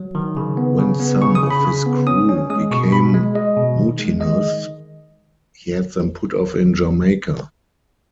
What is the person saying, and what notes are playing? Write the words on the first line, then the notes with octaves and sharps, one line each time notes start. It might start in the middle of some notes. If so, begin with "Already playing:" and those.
When some of his crew became mutinous, he had them put off in Jamaica.
Already playing: F#3
D#3
C#3
B3
C#3
B3
C#3 C#6
D#6
C#3
B5
C#3
B3
C#4 D#6
C#4
G#3 D#6
B2 C#6
B2 B5
G#3
G#3 D#5
B2
D#3
G#3
G#3 D#5
D#3